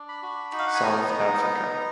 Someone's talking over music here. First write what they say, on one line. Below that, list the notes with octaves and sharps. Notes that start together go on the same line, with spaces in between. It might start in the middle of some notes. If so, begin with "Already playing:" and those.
South Africa.
Already playing: D4
B5
F#4
D#4
F5
F#5
G#5
B3 A#5
D#4 A#5
B3
D#4